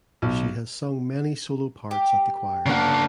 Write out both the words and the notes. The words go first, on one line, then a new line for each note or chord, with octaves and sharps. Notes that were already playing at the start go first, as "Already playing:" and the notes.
She has sung many solo parts at the choir.
B1
G4
C#3 A#3 D4 F#5